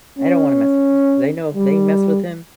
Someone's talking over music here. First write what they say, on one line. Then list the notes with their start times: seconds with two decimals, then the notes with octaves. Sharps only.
I don't wanna mess with him, 'cause I know if they mess with him,
0.18 C#4
1.54 G3